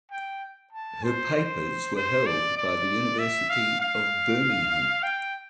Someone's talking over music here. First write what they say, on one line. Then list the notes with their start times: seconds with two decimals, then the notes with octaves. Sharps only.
Her papers are held by the University of Birmingham.
0.11 G5
0.72 A5
1.03 C5
1.34 C5
1.96 C5
2.26 D5
2.57 D5
3.19 E5
3.50 F5
3.80 F5
5.03 G5